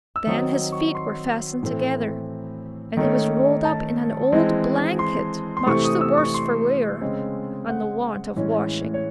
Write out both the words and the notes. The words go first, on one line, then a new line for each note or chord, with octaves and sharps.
Then his feet were fastened together, and he was rolled up in an old blanket much the worse for wear and the want of washing.
E6
D#3 F#3 C4 D#6
C#6
C6
A2 E3 A3 C4
D#3 A3 C#4
A5
E3 G#3 C4
C6
C6
C3 E3 A3 C4 C#6
D#6
E6
C#6
C6
C#3 G#3 C4
F#5
A2 E3 G#3 C#4
C#5